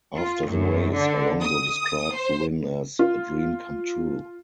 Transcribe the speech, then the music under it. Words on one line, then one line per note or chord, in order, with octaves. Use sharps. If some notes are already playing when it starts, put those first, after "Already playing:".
After the race, Alonso described the win as ..a dream come true.
F4
F#2
D3
D#6
C5
F4